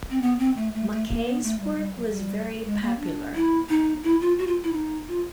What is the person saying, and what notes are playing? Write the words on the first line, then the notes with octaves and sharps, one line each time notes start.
McCay's work was very popular.
C4
B3
C4
A3
A3
A3
A#3
B3
A3
G3
G3
F#3
G3
G#3
A#3
D4
E4
D#4
E4
F4
F#4
F4
E4
D#4
F4